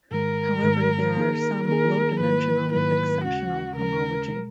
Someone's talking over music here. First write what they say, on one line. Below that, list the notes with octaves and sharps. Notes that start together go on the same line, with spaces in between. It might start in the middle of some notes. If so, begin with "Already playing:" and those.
However, there are some low-dimensional exceptional homology.
G#2 D#3 G#3 A#4
G#2 D#3 G#3
D#3 A#3 D#4 G#4
D#3 A#3 D#4 G#4 A#4
G#2 D#3 F#3 A#3 E4 B4
G#2 D#3 F#3 A#3 E4 B4
D#2 C#3 G#3 C#4 F#4
D#2 C#3 G#3 C#4 A#4
B2 G#3